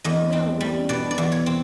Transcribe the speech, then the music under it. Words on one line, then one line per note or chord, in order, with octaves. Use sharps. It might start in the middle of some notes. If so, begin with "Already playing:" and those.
You will, won't you, Marilla?
E2 D#5
C4
G3
B2 D5
D5
E2
C#5
C4